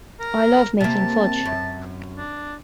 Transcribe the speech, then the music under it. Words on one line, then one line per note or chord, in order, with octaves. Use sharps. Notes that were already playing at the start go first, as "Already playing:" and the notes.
I love making fudge.
A#4
C3 A#3 A5
F#2
D4